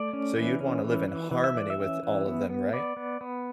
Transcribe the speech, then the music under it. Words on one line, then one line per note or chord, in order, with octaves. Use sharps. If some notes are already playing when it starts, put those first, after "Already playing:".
So, you'd wanna live in harmony with all of them, right?
Already playing: A3 D5
C#4
E3
C#4
E3
E3
E3
E5
E3 D5
E5
C#4
E3
B3
B3
B3 D5
B3
B3